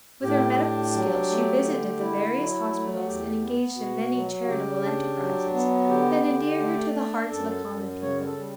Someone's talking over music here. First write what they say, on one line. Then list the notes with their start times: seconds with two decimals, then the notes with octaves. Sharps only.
With her medical skill she visited the various hospitals and engaged in many charitable enterprises that endeared her to the hearts of the common people.
0.23 A2 G4
0.58 D4
0.94 F#3
1.30 A3
1.65 D3
2.00 E4
2.36 F#3
2.71 A3
2.96 F#4
3.06 E2 G4
3.42 B3
3.77 B2 F#4
4.13 F#3
4.42 F#4
4.47 C#3 G4
4.84 D4
5.19 F#3
5.54 B3
5.89 D3 G4
6.24 D3
6.60 A3
6.96 D4
7.31 F#2 A4
7.66 F#2
8.02 C#3 C#5
8.25 A4
8.37 G3